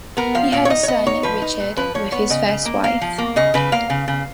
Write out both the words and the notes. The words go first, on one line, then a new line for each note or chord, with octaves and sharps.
He had a son, Richard, with his first wife.
B3 A#4
F3 F5
A#2 F5
C#5
D#4 D#5
C#5
B3 D#5
D#4 C#5
F3 B4
D#4
A#2
F3 B4
F3 C#5
B3 C#5
C#3 D#5
C#3
A#3
A#3 F5
F3
A#3
C#3 D#5
C#3 B4
A#3 F5
C#3
C#3